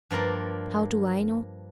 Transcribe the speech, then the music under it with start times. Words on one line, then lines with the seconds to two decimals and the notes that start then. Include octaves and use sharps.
How do I know?
0.11 G2 F3 A#3 A#4 D5